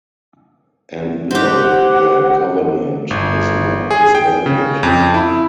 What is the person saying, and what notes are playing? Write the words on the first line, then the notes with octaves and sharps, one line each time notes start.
And No, The Kovenant is not disbanded.
C4 G4 F#5
G1
G#4
G5
C#3
F2
E4